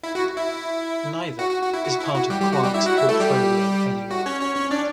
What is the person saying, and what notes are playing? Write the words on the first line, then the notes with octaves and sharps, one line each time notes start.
Neither is part of Quark's portfolio anymore.
E4
F#4
E4
F#4
F#4
F#4
E4
F#4
E4
F#4
G3 G4
G3 G4
F#4
G3 G4
E4 E5
F#4 F#5
E4 E5
A3 A4
G3 G4
F#4
C#4 C#5
C#4 C#5
C#4 C#5
D4 D5